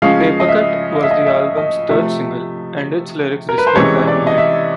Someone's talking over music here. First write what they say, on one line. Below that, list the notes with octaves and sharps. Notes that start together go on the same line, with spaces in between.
"Papercut" was the album's third single, and its lyrics describe paranoia.
C#3 F3 G#3 C#4 F5
D#5
E5
D#5
E5
D#5
E5
D#5
C3 F3 A3 E5
A#4
B4
C5
C3 E3 G#3 C#4 C#5
D5
D#5
E5